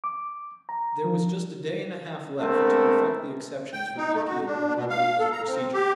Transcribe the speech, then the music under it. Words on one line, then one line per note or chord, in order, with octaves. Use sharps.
There was just a day and a half left to perfect the exceptions for the appeal under the rules of procedure.
D6
A#5
F3
G#3 A3 B3 C4 D4 A#4
G5
D#4
A3
F#4
D4
B2
F5
A4
A#5
C4
G4